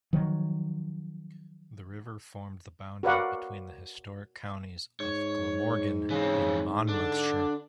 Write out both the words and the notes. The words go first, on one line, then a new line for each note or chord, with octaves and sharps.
The river formed the boundary between the historic counties of Glamorgan and Monmouthshire.
D#3 F3 F#3
F#4 A#4 B4 D5 F5 F#5
G#2 C#5
C#3 E3 C4
D3 D4